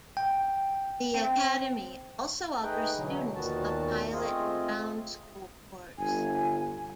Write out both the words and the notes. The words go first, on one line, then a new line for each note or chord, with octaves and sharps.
The academy also offers students a Pilot Ground School course.
G5
C4 G5
A3 D#4 G#4 B4 D#5 G5
B2 D3 E3 F#3
D#2 A#2 D#3 B3 F#4 A5
A3 C4 F4 G#4 D#5
G1 G#5